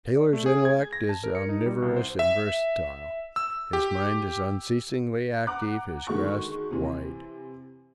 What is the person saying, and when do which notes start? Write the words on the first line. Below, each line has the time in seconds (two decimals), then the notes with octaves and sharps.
Taylor's intellect is omnivorous and versatile--his mind is unceasingly active, his grasp wide.
0.16 D5
0.33 A3
0.46 G#4
0.65 G#6
0.93 A#6
1.09 A5
1.24 A#4
1.35 C#7
1.49 D#4
1.66 G3
1.82 C2
1.97 C5
2.19 E5
3.36 E6
3.73 G4
5.47 F#5 A#5 D6 F#6
6.07 D3 D#3 G#3 F#4 C#6
6.71 C3 E3 C4